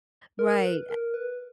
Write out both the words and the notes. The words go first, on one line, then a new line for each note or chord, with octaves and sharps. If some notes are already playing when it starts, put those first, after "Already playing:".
Right, a
A#4
B4
A#4
B4